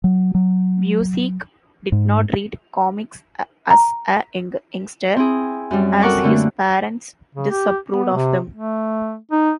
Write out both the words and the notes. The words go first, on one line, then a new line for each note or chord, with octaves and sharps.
Busiek did not read comics as a youngster, as his parents disapproved of them.
F#3
F#3
G#2
A#5
C4 E4 G#4
F#2 G3
F#4 A4 A#4 F#5 C#6 D6
D3 A3 A#3
C#3
G4
B3
C3
A3
D#4